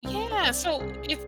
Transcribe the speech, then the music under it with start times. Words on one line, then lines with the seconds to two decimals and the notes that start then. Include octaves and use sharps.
Yeah. So if
0.05 C2 C4
0.31 D4
0.43 C2
0.80 C2 G#4